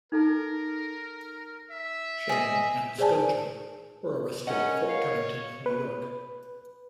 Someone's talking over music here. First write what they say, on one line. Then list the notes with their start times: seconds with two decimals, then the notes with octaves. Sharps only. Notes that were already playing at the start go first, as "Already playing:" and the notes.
Shannon and Skojo were arrested at Fort Covington, New York.
0.12 D#4 A4 A#4 A5
1.71 E5
2.29 G#4 D#5
2.98 G#4 C5 D5 G#5 A5
4.47 C#4 A#4 D#5 F#5
4.89 C#5 F5
5.66 B4